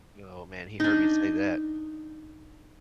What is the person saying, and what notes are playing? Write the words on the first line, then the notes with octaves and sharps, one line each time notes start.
Y oh man, he heard me say that.
D4 D#4